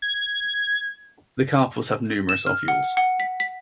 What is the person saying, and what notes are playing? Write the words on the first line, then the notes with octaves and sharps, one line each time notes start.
The carpels have numerous ovules.
G#6
E7
F6
F#5
F#5
B6
B6